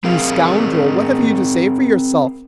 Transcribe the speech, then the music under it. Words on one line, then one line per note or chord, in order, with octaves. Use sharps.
You scoundrel, what have you to say for yourself?
C4 G#4 A#4 F5